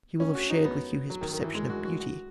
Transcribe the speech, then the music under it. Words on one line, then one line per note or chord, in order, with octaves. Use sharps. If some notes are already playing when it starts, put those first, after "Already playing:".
He will have shared with you his perception of beauty.
C#4
F#4
D#4
B3
F#3
D#3
D#3
E3
G#3
F#4
F#4
F#4